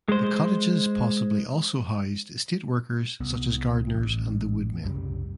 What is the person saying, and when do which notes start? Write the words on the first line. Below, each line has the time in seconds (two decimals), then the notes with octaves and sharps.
The cottages possibly also housed estate workers such as gardeners and the wood men.
0.09 G#3 C5
3.20 C2 B3
3.94 A1
4.84 C2 F#2 C#3 G3